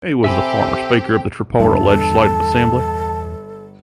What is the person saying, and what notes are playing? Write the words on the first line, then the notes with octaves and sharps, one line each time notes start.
He was the former Speaker of Tripura Legislative Assembly.
C4 G4 A4 E5 G#5 B5
G1 E2 A4 A5